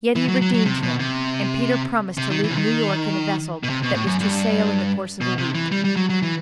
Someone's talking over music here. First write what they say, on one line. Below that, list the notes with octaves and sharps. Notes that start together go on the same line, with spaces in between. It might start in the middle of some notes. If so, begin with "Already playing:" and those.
Yet he redeemed him, and Peter promised to leave New York in a vessel that was to sail in the course of a week.
E3
F#3
F#3
F#3
C3
B2
C3
C3
D#3
E3
C3
D#3
B2
C3
B2
A2
F#2
G2
B2
C3
E3
G3
G3
F#3
F#3
E3